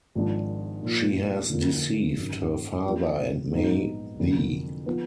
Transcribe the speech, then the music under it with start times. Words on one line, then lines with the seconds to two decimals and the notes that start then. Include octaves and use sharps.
She has deceived her father and may thee.
0.15 G#1 G#2 F3 G#3 D4
0.82 A#2 F3 A#3 F4
1.49 D2 D3 F3 A#3
2.17 G#1 F#2 D#3 F#3
2.84 F2 F3 A#3
3.51 A#1 G#2 F#3 B3 D#4
4.19 F1 F2 D3 F#3 A#3
4.86 F3 B3